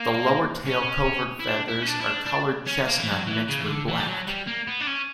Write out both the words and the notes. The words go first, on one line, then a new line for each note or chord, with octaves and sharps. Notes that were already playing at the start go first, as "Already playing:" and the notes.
The lower tail-covert feathers are coloured chestnut mixed with black.
Already playing: A#3
C#4
E4
D4
E4
C#4
D4
E4
D4
D4
C#4
A#3
E3
F#3
E3
C#3
E3
D3
E3
G3
F#3
G3
A#3
B3
D4
C#4